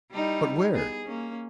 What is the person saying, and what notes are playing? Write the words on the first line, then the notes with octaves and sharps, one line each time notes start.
"But WHERE?"
G3 D#4 E4
B3 G#4
A#3 C#4